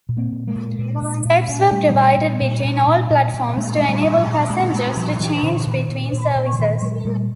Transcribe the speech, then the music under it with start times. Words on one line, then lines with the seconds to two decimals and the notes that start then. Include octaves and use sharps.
Steps were provided between all platforms, to enable passengers to change between services.
0.09 A#2
0.17 A#3 C4
0.32 A#2
0.47 G#3 A#3
0.56 A#2
0.79 A#2
1.02 A#2
1.25 A#2
1.49 A#2
1.71 A#2 G3 A3
1.94 A#2
2.18 A#2
2.41 A#2
2.64 A#2
2.87 A#2
3.10 A#2
3.34 A#2
3.57 A#2 G#3 A#3
3.78 A#2 G#3
3.89 G3 A3
4.04 A#2
4.20 F#3 G#3
4.27 A#2
4.50 A#2 G#3 A#3
4.73 A#2 G#3 A#3
4.97 A#2 F3 G3
5.20 A#2 E3 F#3
5.43 A#2 D3 E3
5.67 A#2
5.74 D#3
5.89 A#2
6.13 A#2
6.36 A#2
6.53 D3
6.59 A#2 D#3
6.82 A#2 F#3 G#3
7.05 A#2 G3 A3